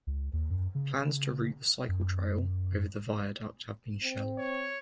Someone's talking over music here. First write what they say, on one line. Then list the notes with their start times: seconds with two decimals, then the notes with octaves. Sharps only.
Plans to route the cycle trail over the viaduct have been shelved.
0.07 C#2
0.33 D#2
0.50 F#2
0.75 C#3
1.89 F#2
4.04 C4
4.38 C#5